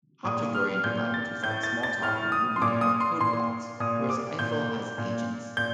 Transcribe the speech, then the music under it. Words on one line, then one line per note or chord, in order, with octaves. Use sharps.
Object-oriented languages like Smalltalk and Ruby have code blocks, whereas Eiffel has agents.
A#2 D#6
F6
A#2 G6
A6
A2 G6
A6
A6
A2 F6
D#6
C6
A#2 D6
D#6
C6
A#2 C6
A#2 D#6
D6
A#2 G6
A#2
A#2 G6